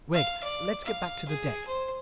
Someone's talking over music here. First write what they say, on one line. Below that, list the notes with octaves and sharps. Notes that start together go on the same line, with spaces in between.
"Gregg, let's get back to the deck."
F5
D5
F5
G#4
C5